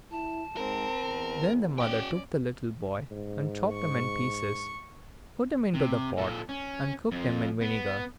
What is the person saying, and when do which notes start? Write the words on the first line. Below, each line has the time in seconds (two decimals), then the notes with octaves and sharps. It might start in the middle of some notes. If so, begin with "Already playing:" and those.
Then the mother took the little boy, and chopped him in pieces, put him into the pot, and cooked him in vinegar.
0.11 E4 A5
0.57 G#2 C4 A#4
0.98 E2
1.78 C#4 F#4 D5 G5
3.11 G#2
3.73 C#6
5.74 C3
6.17 A#2 A4
6.49 C#4
7.12 F2 F3
7.61 B3